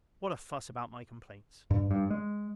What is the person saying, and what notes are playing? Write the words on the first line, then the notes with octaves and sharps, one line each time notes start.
What a fuss about my complaints!
G2
G2
G#3